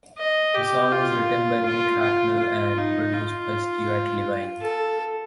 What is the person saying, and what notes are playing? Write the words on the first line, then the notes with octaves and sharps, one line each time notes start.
The song is written by Mick Hucknall and produced by Stewart Levine.
D#5
G4
F4
F4
F4
F4
D#4
F4
A4